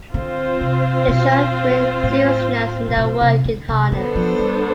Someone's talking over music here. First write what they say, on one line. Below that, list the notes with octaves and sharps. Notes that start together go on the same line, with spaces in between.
They show great seriousness in their work in harness.
D3 C4 F4 C5
C3
B2
A2
C3
B2
C3
D3
C3
D3 B3 D4 A4 C5
F3
G3